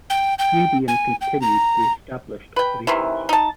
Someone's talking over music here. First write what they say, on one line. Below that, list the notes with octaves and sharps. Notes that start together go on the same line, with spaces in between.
Raytheon continued the established operations.
G5
G5
G#5
G5
A#5
B4 G5
C3 D#3 E3
D#4 A5